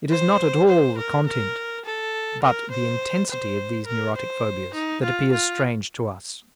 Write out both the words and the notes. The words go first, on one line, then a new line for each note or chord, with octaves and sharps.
It is not at all the content but the intensity of these neurotic phobias that appears strange to us.
C5
C5
A#4
A#4
A4
A#4
C5
C5
A#4
C5
D#4
F4
F4